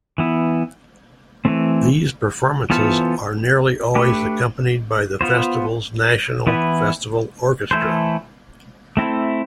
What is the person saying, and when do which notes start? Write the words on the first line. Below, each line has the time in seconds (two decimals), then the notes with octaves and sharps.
These performances are nearly always accompanied by the festival's "National Festival Orchestra".
0.18 E3 B3 E4
1.45 E3 A3 C4
2.70 E3 B3 F4 A4 C5
3.95 A3 D4 G4 B4
5.21 B3 F4 C5
6.47 E3 B3 E4 B4
7.71 E3 A3 E4 A4 C5
8.97 A3 C4 E4 A4